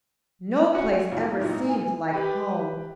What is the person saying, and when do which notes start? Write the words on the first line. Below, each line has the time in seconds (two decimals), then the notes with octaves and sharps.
No place ever seemed like home.
0.73 C#4 F#4
1.11 G#1 F2 F3 D#4
1.41 G#1 A#2 E3 D#4
1.67 G#5
2.13 G4 B4 G5 B5